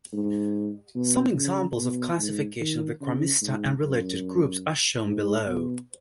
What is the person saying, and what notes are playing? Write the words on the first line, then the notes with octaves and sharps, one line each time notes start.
Some examples of classification of the Chromista and related groups are shown below.
G#2
B2
C#3
B2
G#2
D#3
C#3
G#2
F#2
G#2
B2